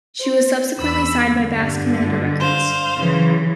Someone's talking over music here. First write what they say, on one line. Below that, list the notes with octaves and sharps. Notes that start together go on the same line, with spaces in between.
She was subsequently signed by Bass Commander Records.
C5
E2 B5 E6
G2 D3
C5 F5
C#3 E3 F#3